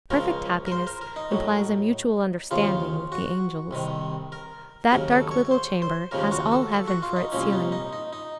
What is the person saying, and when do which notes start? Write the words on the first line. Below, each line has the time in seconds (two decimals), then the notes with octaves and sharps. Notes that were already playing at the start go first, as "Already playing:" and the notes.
Perfect happiness implies a mutual understanding with the angels. That dark little chamber has all heaven for its ceiling.
0.10 C#2 C#3 F3 A#4
0.66 A#4
0.72 C5
0.87 A#4
1.01 A#4
1.16 D#4
1.31 A2 F#3
2.51 D#2 C#3 F3 F4
3.12 F#4
3.71 C2 C3 D#3
4.32 A#4
4.92 D#2 C#3 F#3 A#4
5.11 A4
5.31 C#5
5.51 C5
5.82 C5
6.11 D#2 C#3 F3 A#4
6.31 F#4
6.52 A4
6.72 A4
6.88 F#4
7.03 F4
7.16 D#4
7.32 C2 A#2 F3 C#4
7.53 D#4
7.72 D#4
7.93 D#4
8.13 D#4